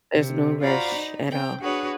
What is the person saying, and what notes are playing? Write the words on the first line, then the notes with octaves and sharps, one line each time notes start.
There's no rush, at all.
C3
F4 F#4 C5 D5 A#5 B5
D#4
C4 G5
D4 F#4 G#4 B4 C#5